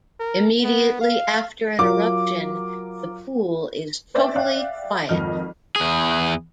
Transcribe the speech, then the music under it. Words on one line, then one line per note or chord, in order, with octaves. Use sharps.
Immediately after an eruption the pool is totally quiet.
A#4
B3
F5
F#3 F4 A#4 D6
B4 C5 D5 E5 G5
D5 E5 F5 G5 F#6
G#1 F2 D#5 F6
E2 G#4